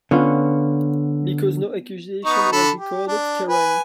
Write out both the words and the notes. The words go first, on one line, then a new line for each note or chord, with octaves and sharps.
Because no accusation was recorded, Kerrang!
D3 B3 C#4 F4 F5
B3 D#4 C#6
D3 A4 B5
G4
D4
B4 G#5